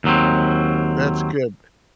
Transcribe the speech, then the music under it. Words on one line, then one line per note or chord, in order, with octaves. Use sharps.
That's good.
D#2 F#3 C4